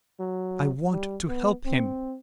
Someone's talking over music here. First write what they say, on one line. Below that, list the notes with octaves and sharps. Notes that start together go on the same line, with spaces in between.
I want to help him.
F#3
G3
B3
C4